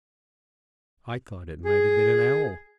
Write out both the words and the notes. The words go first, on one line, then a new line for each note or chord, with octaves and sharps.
I thought it might have been an owl.
G#4